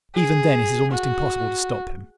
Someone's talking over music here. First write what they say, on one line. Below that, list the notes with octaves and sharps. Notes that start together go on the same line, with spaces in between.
Even then it is almost impossible to stop him.
G#4
F#4